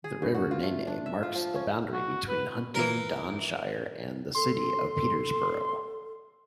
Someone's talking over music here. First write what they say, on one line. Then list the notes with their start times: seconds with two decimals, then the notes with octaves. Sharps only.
The River Nene marks the boundary between Huntingdonshire and the City of Peterborough.
0.04 G#4
0.22 G2
0.35 F#4
0.51 F4
0.63 A3
0.87 D4
1.06 E5
1.23 F4
1.35 F3
1.55 C#4
1.93 F#4
2.29 B4
2.75 E3 A#4
4.35 A4 C6